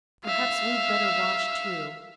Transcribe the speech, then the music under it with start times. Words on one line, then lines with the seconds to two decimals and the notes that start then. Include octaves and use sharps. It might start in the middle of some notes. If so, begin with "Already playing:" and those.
Perhaps we'd better wash too.
0.25 E5 F5